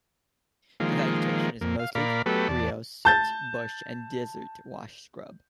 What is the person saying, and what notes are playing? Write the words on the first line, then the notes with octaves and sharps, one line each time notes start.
The vegetation is mostly creosote bush and desert wash scrub.
D#3 F3 G#3 A#3
F2 A#3
F5
A#2 A#4 D5 F5 B5
F#3 A3 B3 G4 A4 B4
E2 D5 A5
A5 G6 A6